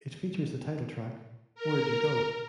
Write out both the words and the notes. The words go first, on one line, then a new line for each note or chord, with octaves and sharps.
It features the title track, Where'd You Go?
A#4